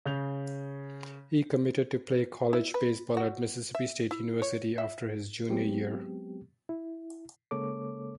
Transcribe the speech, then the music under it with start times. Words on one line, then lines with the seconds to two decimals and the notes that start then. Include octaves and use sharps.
He committed to play college baseball at Mississippi State University after his junior year.
0.06 C#3 G6 F7
2.53 E4
2.74 B4
3.17 F#4
3.75 E5
4.11 E4
4.42 C#5
4.78 E5
5.49 F#3 G#3 B3 C4 G4
6.69 E4
7.51 C#3 G#3 A#3 A4 C#5 D6